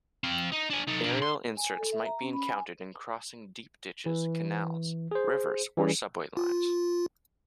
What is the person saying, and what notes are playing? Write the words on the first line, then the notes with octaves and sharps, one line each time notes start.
Aerial inserts might be encountered in crossing deep ditches, canals, rivers, or subway lines.
C4 F5
D#4
D4 G#5
D#4 A4
D4 A#4
C6
G#5
A4
E5
A#5
C#4
B5
G#5
E3
G#4 C5
E3 G3 C#4 G#4
F4